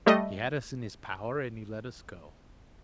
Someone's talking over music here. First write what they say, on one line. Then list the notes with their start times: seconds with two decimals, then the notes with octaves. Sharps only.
He had us in his power and he let us go.
0.06 G3 A3 D#5